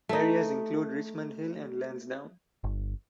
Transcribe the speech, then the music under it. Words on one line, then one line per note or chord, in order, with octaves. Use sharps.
Areas include Richmond Hill and Lansdowne.
A3 D#4
G1